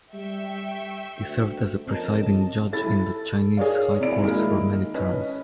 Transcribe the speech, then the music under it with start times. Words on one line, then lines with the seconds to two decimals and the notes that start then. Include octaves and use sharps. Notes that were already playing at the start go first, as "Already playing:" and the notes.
He served as a presiding judge in the Chinese high courts for many terms.
0.13 G3 E5 G5 C#6
1.17 D2
1.87 F2 C4 C#4 A#4 D#5 A5
2.72 E4 A4 A6
3.57 G#4 A#4 C#5 D5 F5
4.00 C3 E4 D5 D7
4.23 D#3 G#3 A#3 D#4 E4
4.94 C#4 B4 D#5